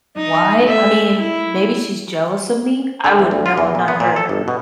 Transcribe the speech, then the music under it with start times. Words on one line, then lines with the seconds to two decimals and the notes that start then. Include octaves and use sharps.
Why? I mean, maybe she's jealous of me. I wouldn't know; I'm not her.
0.16 D#4 D#6
0.64 A3 E5
1.17 E4
3.04 D3
3.19 E2
3.31 D2
3.46 F4
3.57 E2
3.75 A#2
3.88 B3
4.00 A#2
4.16 A4
4.29 G1
4.48 B2